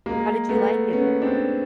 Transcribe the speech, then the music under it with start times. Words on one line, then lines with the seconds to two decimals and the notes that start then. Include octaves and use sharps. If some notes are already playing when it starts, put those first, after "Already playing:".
How did you like it there?
0.06 G#3 A#3
0.49 A3 B3
0.93 B3 C#4
1.22 C4 D4